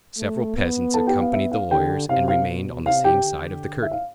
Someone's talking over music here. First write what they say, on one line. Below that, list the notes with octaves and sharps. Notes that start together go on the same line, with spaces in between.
Several peasants accompanied the lawyers and remained on the same side of the curtain.
A3
B3
A4 A5
G4 G5
F5
E5
F5
D3 G4 G5
C3 F5
F5
B2
C3 F5
G4 G5
D3
E5
F5